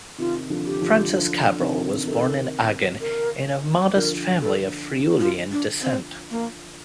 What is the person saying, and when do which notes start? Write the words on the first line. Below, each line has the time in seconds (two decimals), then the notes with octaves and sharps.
Francis Cabrel was born in Agen into a modest family of Friulian descent.
0.18 C3 D#3 F4
0.50 D3 F3
0.66 G4
0.81 D3 F3
1.12 D3 F3
1.59 C3 D#3
2.07 C3 D#3 A4
3.01 A#4
3.95 D3 F3 A#4
4.41 A4
5.20 F4
5.52 D4
5.83 C4
6.31 A#3